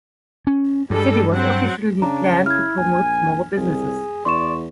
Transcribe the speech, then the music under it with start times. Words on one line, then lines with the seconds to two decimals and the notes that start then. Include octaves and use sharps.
The city was officially planned to promote small businesses.
0.47 C#4
0.90 G2 G3 G#3 A4
1.30 F#3 C4 F#5
2.02 C#3 D4 A#5
2.46 E4 F6 G#6
2.78 A#1 G#5
3.57 C2 G#4
4.25 E2 D5 C6 C#6 E7